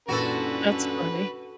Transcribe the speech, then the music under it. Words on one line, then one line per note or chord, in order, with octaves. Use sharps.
That's funny.
F#2 A#2 D3 E3 C#4 F#4 A4 B4